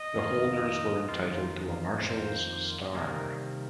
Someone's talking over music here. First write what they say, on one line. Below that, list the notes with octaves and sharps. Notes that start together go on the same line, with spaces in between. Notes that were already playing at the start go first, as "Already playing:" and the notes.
The holders were entitled to a marshal's star.
Already playing: D#5
F2 D#3 A#3 F4
F2 D#3 A#3 F4
F2 D#3 A#3 F4 C5
C3 D#3 G3 A#3 A#4